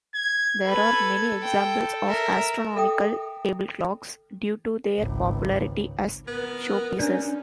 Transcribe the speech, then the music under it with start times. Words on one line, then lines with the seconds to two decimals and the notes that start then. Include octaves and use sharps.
There are many examples of astronomical table clocks, due to their popularity as showpieces.
0.15 G#6
0.67 A4 B4 G#6
1.43 G5
2.06 A#4 E5
2.76 A4 E5 G5 D#6
4.99 G#1 C#2
6.27 B3 A#4
6.99 D#2 C#4 D4 D5